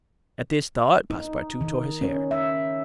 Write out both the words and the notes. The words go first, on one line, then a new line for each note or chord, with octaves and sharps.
At this thought Passepartout tore his hair.
D#4
D#3
C#4
E5